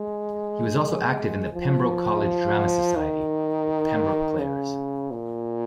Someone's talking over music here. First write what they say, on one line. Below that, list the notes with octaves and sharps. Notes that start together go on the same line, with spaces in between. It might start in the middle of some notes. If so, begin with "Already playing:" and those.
He was also active in the Pembroke College drama society, the Pembroke Players.
Already playing: G#3
F3
D#3
C#3
A#2